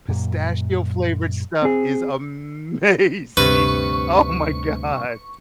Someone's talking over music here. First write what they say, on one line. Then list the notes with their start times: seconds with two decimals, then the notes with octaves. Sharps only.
Pistachio flavored stuff is amazing. Oh, my god.
0.08 F#2 A#2
1.62 C4 G#4
3.37 D2 G2 C3 B4 C#6